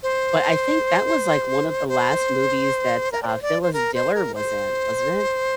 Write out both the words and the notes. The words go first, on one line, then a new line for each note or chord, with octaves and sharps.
but I think that was, like, one of the last movies that, uh, Phyllis Diller was in, wasn't it?
C5
C5
A#4
D5
C5
D5
C5
A#4
C5
A#4
C5